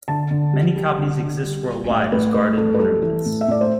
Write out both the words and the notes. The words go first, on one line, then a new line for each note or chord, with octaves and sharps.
Many copies exist worldwide as garden ornaments.
D3 A5
D3
G3
G3
D3
D3
G3
G3
A2 E5
A2 B4
A2 B4
A2 A4
B4
G3 A4
E3
A2
E5
A2 D5
C5